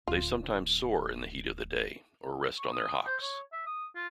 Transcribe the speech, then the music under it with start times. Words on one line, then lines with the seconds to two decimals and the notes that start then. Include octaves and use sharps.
They sometimes soar in the heat of the day or rest on their hocks.
0.08 D1 D2 F4
2.58 C#6
2.73 D#6
3.07 C5
3.22 C#5
3.53 E5
3.66 D#6
3.96 F4